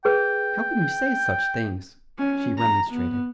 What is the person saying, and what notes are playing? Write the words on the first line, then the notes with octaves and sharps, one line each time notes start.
"How can you say such things!" she remonstrated.
G#4 B4 G5
C#4
A#5
B3